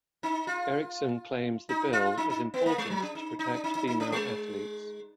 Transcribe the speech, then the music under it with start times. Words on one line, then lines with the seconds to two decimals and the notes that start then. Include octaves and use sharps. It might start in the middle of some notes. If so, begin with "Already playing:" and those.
Erickson claims the bill is important to protect female athletes.
0.23 D#4
0.47 F4
1.69 D#4
1.93 F4
2.18 D#4
2.30 D#4
2.54 B3
2.66 A#3
2.78 G#3
2.90 F#3
3.02 D4
3.15 D#4
3.39 D#4
3.54 D4
3.64 D#4
3.75 D#4
3.87 D#4
4.00 D4
4.12 G#3